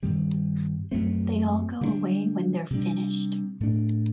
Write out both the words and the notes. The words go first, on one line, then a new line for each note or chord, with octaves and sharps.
They all go away when they're finished.
G2 D#3 G3 C4
F#2 F#3 A3 C4
D3 G3 A#3 D4
C3 G3 D4
A2 A3 D4